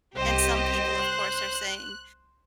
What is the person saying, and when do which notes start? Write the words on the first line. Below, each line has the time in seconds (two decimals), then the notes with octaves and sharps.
and some people, of course, are saying,
0.17 C2 G4 C5 D#5
1.01 F#6